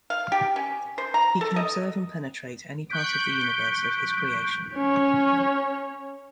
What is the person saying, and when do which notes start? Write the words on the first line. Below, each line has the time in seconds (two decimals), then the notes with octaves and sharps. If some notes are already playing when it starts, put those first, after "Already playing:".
He can observe and penetrate any part of the universe of His creation.
0.10 F5
0.32 G4
0.56 C#4
0.98 C5
1.14 A#5
1.41 A4
1.56 D#5
2.89 C#6 F#6 G6 B6 D7
4.75 C#4 C#5